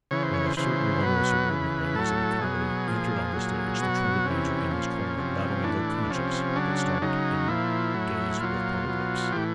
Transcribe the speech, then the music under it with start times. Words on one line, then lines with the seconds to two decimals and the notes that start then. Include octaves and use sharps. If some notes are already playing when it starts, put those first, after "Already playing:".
When a certain one of the subordinate ladies of the comedy entered on the stage the trumpet- major in his corner not only looked conscious, but started and gazed with parted lips.
0.11 C#3 E3 C#5
0.23 C5
0.34 C#5
0.46 C5
0.57 C#3 E3 C5
1.03 B2 F#3 B4
1.49 C#3 E3
1.95 A2 F#3 A4
2.41 B2 F#3 G#4
2.88 A#2 F3
3.33 A#2 F#3
3.79 B2 F#3 F#4
4.26 C3 E3 C#4
4.71 A#2 F3
5.18 C3 F3
5.64 A2 E3 D4
6.10 C3 F3 C#4
6.56 C#3 F#3 D4
7.02 C#3 F#3 D#4
7.48 A#2 F3 E4
7.94 A2 F#3
8.40 A#2 F#3 F4
8.86 B2 F#3
9.32 A2 E3 G4